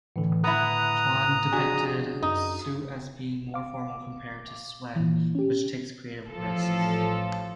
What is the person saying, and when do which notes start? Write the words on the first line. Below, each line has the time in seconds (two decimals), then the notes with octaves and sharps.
Juon depicted "Suit" as being more formal compared to "Sweat" which takes creative risks.
0.16 A2 D3 E3
0.44 B3 E4 A#5 D#6 F#6
1.52 F2 D4 F#4 G#4 G#5
2.22 F#2 D#4
3.54 F5 D6
4.96 A#2 E3
5.35 C#4 G4
6.29 A1 F3 F4 A4